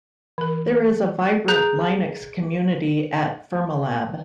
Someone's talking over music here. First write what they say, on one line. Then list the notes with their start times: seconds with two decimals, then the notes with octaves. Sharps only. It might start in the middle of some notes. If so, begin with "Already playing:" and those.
There is a vibrant Linux community at Fermilab.
0.38 E3 A#4
1.48 G#4 A#5 F#6 G6